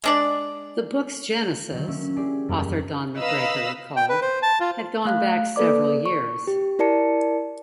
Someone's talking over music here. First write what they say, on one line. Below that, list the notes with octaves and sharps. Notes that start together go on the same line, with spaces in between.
The books' genesis, author Don McGregor recalled, had gone back several years.
G#3 D4 D5
D3 D#3 F#3
A#3 C#4 E5
E4 G4 G#4 D5
E1 F#2 G3 A#3
B4 D#5 F5 A#5 B5 E6
G5
B4
C5
A5
F4
A3 F5 F#6
A#3 A4 B4 D5 D6
C#6
G4
E4 A#4 D5 A5 C#7